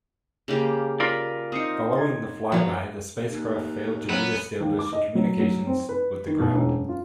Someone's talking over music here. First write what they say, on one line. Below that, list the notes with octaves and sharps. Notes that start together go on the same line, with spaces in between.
Following the flyby the spacecraft failed to reestablish communications with the ground.
C#3 A#3 G4
F4 A#4 D5 B5
C4 D#4 D#6 C7 C#7
G#6 A6
F3 F#3 B3
D#2
F#3 A#3 B3 C#4 B4
D#2
D6
D#5
F#3
F#3
C4
B4
D#3
B2
E1
F#2
F4